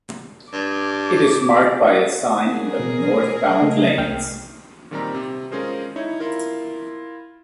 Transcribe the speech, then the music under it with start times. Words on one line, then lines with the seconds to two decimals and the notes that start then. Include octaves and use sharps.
It is marked by a sign in the northbound lanes.
0.53 G2 D6
2.47 G#4 A#4
2.80 B2
3.61 C#3 A3 D#5
3.98 C2 G5 F6
4.91 A#2 D#3 G3 C4 G4 A#5
5.15 C3
5.51 G#3 C#4 F4 G#4 A#4 C5
5.96 D#4 E4 C#5
6.20 E4 F4 A#4